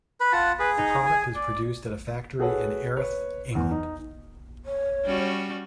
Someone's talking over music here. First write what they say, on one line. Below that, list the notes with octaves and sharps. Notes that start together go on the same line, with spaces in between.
The product is produced at a factory in Erith, England.
B4 B5
F4 F#5 A5
G#4 B4
D#4
G#5
D5
F#4 G#4 A4 B4 C#5 F#5
B4 C#5
E2
D#4
C#5
G3 C#4 F#4